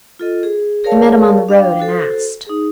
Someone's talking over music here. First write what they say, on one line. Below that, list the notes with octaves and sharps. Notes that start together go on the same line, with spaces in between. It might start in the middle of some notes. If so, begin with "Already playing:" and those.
I met him on the road and asked.'
F4 A4 D#5
G#4
G#4 A#4 C#5 D5 F5 A5
D4 F5 G5
F#4 A4 C5
D#4 G#4